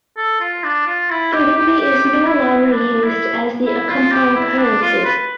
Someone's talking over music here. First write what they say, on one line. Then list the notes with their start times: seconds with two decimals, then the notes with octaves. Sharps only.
The lumi is no longer used as the Accompong currency.
0.17 A4
0.40 F4
0.64 D4
0.87 F4
1.10 E4
1.33 G4
1.56 G4
1.80 G4
2.26 E4
2.72 D4
3.04 E4
3.66 E4
3.89 F4
4.11 G4
4.35 E4
4.58 D4
4.82 F4
5.05 B4